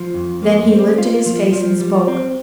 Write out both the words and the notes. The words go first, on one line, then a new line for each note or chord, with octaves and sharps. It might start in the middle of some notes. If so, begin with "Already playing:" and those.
Then he lifted his face and spoke.
Already playing: F3
F2
A#3
C4
F4
F3
F3
G3
C4